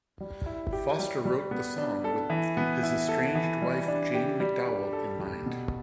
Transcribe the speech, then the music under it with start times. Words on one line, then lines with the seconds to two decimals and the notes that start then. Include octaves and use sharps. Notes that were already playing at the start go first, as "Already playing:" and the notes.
Foster wrote the song with his estranged wife Jane McDowell in mind.
0.20 G3
0.46 E4
0.73 G4
0.99 G3
1.25 G3
1.51 B3
1.78 D4
2.04 A4
2.30 E3
2.57 B3
2.83 E4
3.09 A4
3.35 E3
3.62 G3
3.88 D4
4.15 G4
4.40 G3
4.67 D4
4.93 A4
5.19 G3
5.46 B2